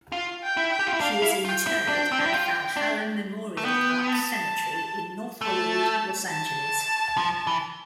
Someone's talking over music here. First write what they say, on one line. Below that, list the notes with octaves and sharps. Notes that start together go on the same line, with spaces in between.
She was interred at Valhalla Memorial Park Cemetery in North Hollywood, Los Angeles.
F4 F5
G5
E4
G5
G4
F4
E4
D4 F5
E4
F4 G5
E4
D4
C4
D4
E4
F4
D4
A3
B3 G5
A5
A3 A5
A5
F3
E3